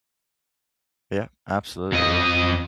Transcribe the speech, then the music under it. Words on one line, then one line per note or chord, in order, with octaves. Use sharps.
Yeah. Absolutely. Yeah.
F2 D#5